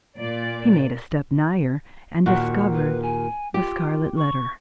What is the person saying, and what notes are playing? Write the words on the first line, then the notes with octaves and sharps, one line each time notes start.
He made a step nigher, and discovered the scarlet letter.
A#2 D5
D#2 A#2 F#4 F#5
B4
G#5
F4 G4
C#6